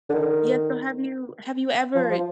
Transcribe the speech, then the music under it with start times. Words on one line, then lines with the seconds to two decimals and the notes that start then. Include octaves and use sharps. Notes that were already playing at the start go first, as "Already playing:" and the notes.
Yes, so have you have you ever,
0.10 D3
0.14 D#3
1.96 F3
2.10 F3